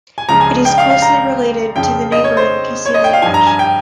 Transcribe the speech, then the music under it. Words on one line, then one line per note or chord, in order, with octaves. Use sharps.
It is closely related to the neighboring Kissi language.
G#5
C#2 C#3 F3 A#5
G#5
G5
F5
F5
A#5
F2 C#3 F3 G5
D#5
C#5
C5
C#5
D#5
G5
F5
G2 F3 G#5
A#5
G#5
G5